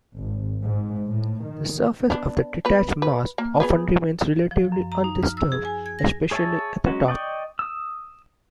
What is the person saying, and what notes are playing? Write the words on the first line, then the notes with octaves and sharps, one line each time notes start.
The surface of the detached mass often remains relatively undisturbed, especially at the top.
G#1
G#2
A2
D#3
B3 D4
B3 B4
B4
A#3
B3 G#4 B4
F3
F#2
A#5
D#4
F6
E6
G#4
G#5
G#6
A#6
G#4 C#5 E5 G#5 A5
F#3 G#3 C#4 F#4
D5 D#5 G5 C#6
D#6 E6